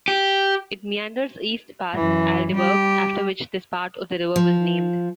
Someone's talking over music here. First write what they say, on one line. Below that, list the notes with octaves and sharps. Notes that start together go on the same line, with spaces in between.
It meanders east past Aldeburgh, after which this part of the river was named.
G4
F#2 E3
G3 G4
F3